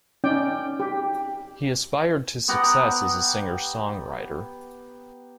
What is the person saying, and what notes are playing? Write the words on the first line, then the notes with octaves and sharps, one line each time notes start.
He aspired to success as a singer-songwriter.
C#4 D#4 D5 G5
G4
B3 G4 F#5 A#5